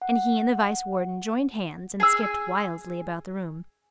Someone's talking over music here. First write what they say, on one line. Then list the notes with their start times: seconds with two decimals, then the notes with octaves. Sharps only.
And he and the Vice-Warden joined hands, and skipped wildly about the room.
0.02 F#5
2.00 G#4 G#5 E6